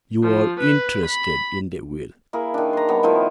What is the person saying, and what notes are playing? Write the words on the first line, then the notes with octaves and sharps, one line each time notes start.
"You are interested in the will."
F3
B4
B5
A#3 E4 G#4
D#3 D4
A#5 C6
G3 B3 C#5
D#3 F3 A3 E4